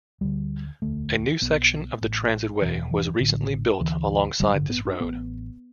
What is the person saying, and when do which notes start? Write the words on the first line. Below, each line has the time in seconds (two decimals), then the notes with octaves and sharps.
A new section of the Transitway was recently built alongside this road.
0.21 D2 D3 G3
0.82 E1 D2 D3 A3
1.41 B1 B2 B3
2.01 A1 A2
2.61 E1 E2 B2 E3
2.91 E3
3.21 A1 A2 D3
3.80 D2 D3 E3
4.40 A1 G2 D3 G3
4.55 D3
4.70 B3
4.85 D4
5.00 A1 A2 B3